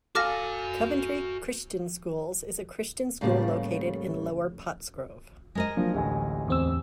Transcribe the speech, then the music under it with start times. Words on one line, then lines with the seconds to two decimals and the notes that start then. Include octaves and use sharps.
Coventry Christian Schools is a Christian school located in Lower Pottsgrove.
0.15 F#4 A4 F5 G#5 D6 F6 A#6
3.21 A2 C#3 G3 A#3 B3 G4
5.55 G#3 A#4 D#5
5.77 F3 F#3 A#3 D4
5.94 A1 D2 G4 G#5
6.48 E2 C4 E6